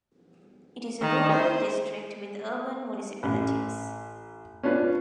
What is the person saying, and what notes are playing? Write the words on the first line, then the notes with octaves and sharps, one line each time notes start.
It is a rural district with urban municipalities.
D#3
C5
A1
C#4 D4 F4 B4